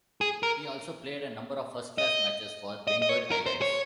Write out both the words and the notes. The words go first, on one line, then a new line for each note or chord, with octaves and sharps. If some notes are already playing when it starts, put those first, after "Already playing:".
He also played a number of first class matches for Windward Islands.
G#4
A#4
D#5
D#5
D#5
C#5
A#4
C5
C#5